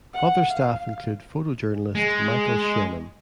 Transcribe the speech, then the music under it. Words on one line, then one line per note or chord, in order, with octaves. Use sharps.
Other staff include photojournalist Michael Schennum.
F#5
F5
G#3